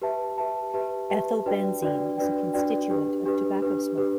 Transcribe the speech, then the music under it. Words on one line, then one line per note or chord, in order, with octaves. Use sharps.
Ethylbenzene is a constituent of tobacco smoke.
G4 B4 E5 A5
G4 B4 E5 A5
G4 B4 E5 A5
G4 B4 E5 A5
D4 F#4 B4 D5 G5
D4 F#4 B4 D5 G5
D4 F#4 B4 D5 G5
D4 F#4 B4 D5 G5
D4 G4 B4
D4 G4 B4
D4 G4 B4
D4 G4 B4